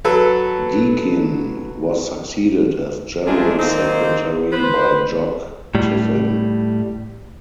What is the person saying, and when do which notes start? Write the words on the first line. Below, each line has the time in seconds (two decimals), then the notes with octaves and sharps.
Deakin was succeeded as general secretary by Jock Tiffin.
0.04 F#3 A4 B4
3.25 G#3 A3 D4 F4 G#4 A#4
3.59 D#3 A#3 C4 D#4 C5
4.52 B4 C5
5.75 A2 G3